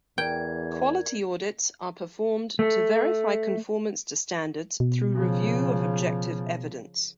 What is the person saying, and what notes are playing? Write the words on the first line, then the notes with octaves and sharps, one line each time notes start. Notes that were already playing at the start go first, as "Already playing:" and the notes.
Quality audits are performed to verify conformance to standards through review of objective evidence.
E2 A#4 D5 G5 G#6
A3
B2
C#3 F3